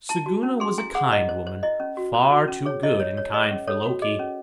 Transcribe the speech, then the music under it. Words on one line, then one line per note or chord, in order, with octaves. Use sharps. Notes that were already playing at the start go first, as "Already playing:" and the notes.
Siguna was a kind woman, far too good and kind for Loki.
E4 A5
F#4
C#4
G#4 C6
E4 G#5
G#4 F#5
E4 D#5
C5
C5
E4 D#5
C#4
F#4
C5
F#4
C#4
G#4 C#5
E4 D#5
C#5
C#5
G#4 D#5
C#4
A4 C#5
F#4
G#4 D#5
C#4